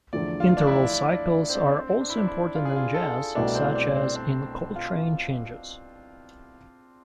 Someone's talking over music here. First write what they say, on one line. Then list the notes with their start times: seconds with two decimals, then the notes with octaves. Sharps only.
Interval cycles are also important in jazz, such as in Coltrane changes.
0.13 E2 D3 F3 A3 D5
0.40 F4
0.57 D4
0.67 E4
0.93 E4
1.14 D4
1.50 C4
1.55 D4
1.74 C4
2.01 D4
2.10 E4
2.17 D4
2.28 E4
2.55 F4
2.65 G#4
2.76 F4
2.94 A4
3.35 C2 B2 A3 D4 E4
3.55 C4
3.75 D4
3.95 C4
4.15 D4
4.76 F4